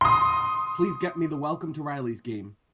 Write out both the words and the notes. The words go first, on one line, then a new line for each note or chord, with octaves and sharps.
Please get me the Welcome to the Rileys game.
C6 D#6